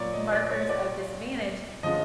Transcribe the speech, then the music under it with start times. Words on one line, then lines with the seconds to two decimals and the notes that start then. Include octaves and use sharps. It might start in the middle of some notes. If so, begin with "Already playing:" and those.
markers of disadvantage,
Already playing: A#2 F#3 A#3 C#5 D5
0.13 D#5
0.32 D5
0.50 C#5
0.69 D5
1.83 D3 F3 G#3 C#4 D#5